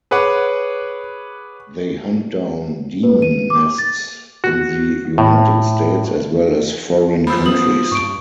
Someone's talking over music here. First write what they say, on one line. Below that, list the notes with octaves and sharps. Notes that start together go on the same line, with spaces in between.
They hunt down demon nests in the United States, as well as foreign countries.
G#4 B4 C#5 F#5 D6
B4
D#7
D6
A6
F#4
A2
F3 F#3 C5 B5 E6
B3 D#6 F#7
G2 C#6 D7